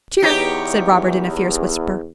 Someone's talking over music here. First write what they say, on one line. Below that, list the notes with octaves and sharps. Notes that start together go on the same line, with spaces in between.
'Cheer,' said Robert in a fierce whisper.
E2 D#4 G4 C#5